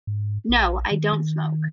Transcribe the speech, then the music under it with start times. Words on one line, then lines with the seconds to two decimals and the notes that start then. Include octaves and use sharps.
No, I don’t smoke.
0.07 G#2
0.49 A#1
0.91 D#3
1.12 D#3